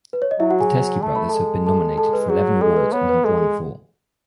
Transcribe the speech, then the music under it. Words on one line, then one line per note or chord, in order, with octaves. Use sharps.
The Teskey Brothers have been nominated for eleven awards and have won four.
B4
C#5
D#5
F#3 E4 E5
F#4 F#5
G#4 G#5
A3 A5
B5
A4 A5
G#3
A4 A5
A4 A5
B4
F#3 G#4
G#3 A4
B4
B3 C#5
B4
G#3 A4
G#4